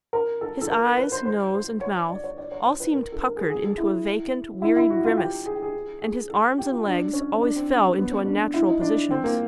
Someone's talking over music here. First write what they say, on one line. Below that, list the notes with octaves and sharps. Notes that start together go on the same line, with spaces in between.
His eyes, nose, and mouth all seemed puckered into a vacant, wearied grimace, and his arms and legs always fell into unnatural positions.
A#4
A4
A4
A#4
B4
C5
C5
C5
C#5
D5
C#5
D5
C#5
C5
B4
A#4
A4
A#4
G#4
G#4
A4
E4
E4
E4
F#4
F4
G4
G#4
G4
G#4
G#4
A4
G4
F4
D4
C#4
C#4
D4
C4
C#4
B3
C#4
D4
E4
D#4
D4
C4
A#3